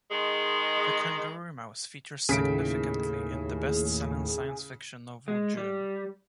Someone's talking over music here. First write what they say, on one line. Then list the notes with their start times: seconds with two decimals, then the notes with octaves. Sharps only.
The kangaroo mouse features significantly in the best-selling science fiction novel Dune.
0.11 D#3 G#3
2.29 D#2 A2 C#3 G#4 B6 D7
5.28 G#3
5.57 G3